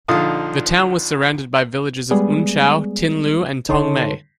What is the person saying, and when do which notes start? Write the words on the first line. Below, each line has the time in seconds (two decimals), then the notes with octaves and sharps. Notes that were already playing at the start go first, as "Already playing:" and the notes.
The town was surrounded by villages of Un Chau, Tin Liu and Tong Mei.
0.08 A#1 D3 F3 D#4 F4 D#6
2.11 G3 G#3 B3 G#4 D5
3.69 D3 D#4 A4 C#5 A5 C6